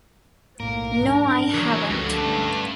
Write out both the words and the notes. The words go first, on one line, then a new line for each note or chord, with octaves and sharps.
No, I haven't.
B1 A2 A#3 A#4
G#2 F#3 D4
C#2 E3 F#3
C#2 G2 D3 F3 G#3
A3 C4 C#4 E5 A5